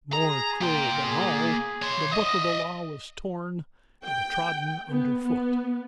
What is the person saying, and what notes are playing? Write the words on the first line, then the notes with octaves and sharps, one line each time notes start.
More cruel than all, the Book of the Law was torn and trodden underfoot.
G#4 A#5
A#3 G5 C6
G#4
C#5 C6
D#5 E5 D#6
G5
B3
B3